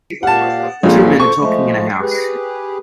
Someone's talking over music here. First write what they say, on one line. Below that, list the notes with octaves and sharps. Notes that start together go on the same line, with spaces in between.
Two men are talking in a house.
A#2 G4 F5 F#5 A5
A#1 A#2 C4 C#4 A4
A4 C5 C#6
F3 G#3 A3
G4 G#4 B4